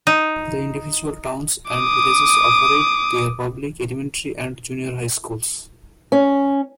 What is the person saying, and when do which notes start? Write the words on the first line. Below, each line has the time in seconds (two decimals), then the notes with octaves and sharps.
The individual towns and villages operate their public elementary and junior high schools.
0.07 D#4
1.72 D6 D#6
6.12 C#4